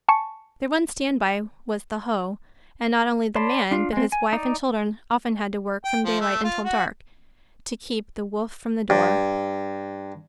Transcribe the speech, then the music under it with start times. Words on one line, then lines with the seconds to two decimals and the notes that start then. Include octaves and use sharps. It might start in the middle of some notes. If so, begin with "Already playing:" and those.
Their one standby was the hoe and not only the man but his wife and children often had to work from daylight until dark to keep the wolf from the door.
0.08 G#5 A5 C#6 C#7
3.35 C#5 D5 A5 B5 C6
3.71 D4 F4
3.93 G#3 C4
4.12 G#5
4.33 D#4 D5
5.85 G5
6.05 F3
6.21 A3
6.44 F4
6.65 F#4
8.90 G2